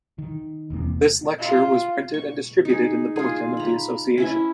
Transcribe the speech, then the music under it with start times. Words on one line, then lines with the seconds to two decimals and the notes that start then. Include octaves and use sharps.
This lecture was printed and distributed in the bulletin of the association.
0.18 D#3
0.70 E1 E2 C3 A#3
1.39 F4
2.14 C#6
2.65 D#4 G#4
3.16 F4 G#4
3.57 A#5 B5
4.18 C#4 E4 E5